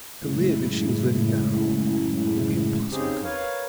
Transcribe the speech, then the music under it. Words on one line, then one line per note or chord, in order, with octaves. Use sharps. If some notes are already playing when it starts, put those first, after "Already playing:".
To live as she was living now would be impossible to her.
F#2 A2 C#3 G#3 E4
C#3 C4 D#4 G4 G#4
A#4 B4 C#5 F5